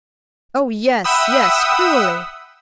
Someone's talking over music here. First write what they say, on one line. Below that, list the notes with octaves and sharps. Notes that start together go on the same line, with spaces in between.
"Oh, yes, yes, cruelly!"
E5 F#5 G5 B5 D#6 E6